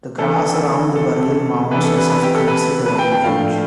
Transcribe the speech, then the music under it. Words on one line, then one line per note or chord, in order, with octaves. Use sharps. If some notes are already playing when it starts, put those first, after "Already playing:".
The grass around the burial mounds is of considerable age.
E3 B3 D4 A4
A4
C3 E3 B3 D4 B4
A4
B4
B4
G4
A4
B4
B4
A5
G5
G5
A2 F3 A3 D4 F5